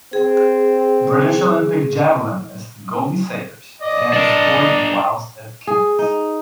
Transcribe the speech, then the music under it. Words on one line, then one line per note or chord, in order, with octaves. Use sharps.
British Olympic javelinist Goldie Sayers began the sport whilst at King's.
C4 G#4
D5 D#5
D4 A#4
G#4
D#4